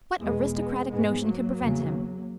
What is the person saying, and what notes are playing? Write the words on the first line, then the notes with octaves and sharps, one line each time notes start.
What aristocratic notion could prevent him?
E2 B2 G#3 B3
G#3 B3
G#2 G#3 B3
F#3 A#3
E2 C#3